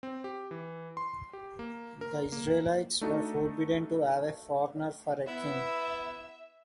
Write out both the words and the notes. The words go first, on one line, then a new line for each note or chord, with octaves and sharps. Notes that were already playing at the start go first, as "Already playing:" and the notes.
The Israelites were forbidden to have a foreigner for a king.
C4
G4
E3
C6
G4
A#3
A#4
A#3
A3 D4 D#4 F#4 A4
B3 E4 E5